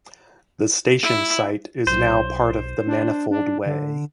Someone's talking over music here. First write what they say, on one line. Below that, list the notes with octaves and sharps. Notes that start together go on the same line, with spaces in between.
The station site is now part of the Manifold Way.
E4
B1 C5
D4
D4
D3